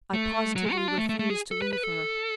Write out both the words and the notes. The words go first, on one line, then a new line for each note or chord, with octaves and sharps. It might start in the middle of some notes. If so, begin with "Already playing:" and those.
I positively refused to leave her.
A3
F#3
G#3
F#4
F4
D4
A3
A3
A3
G#4
A4
B4
B4
A4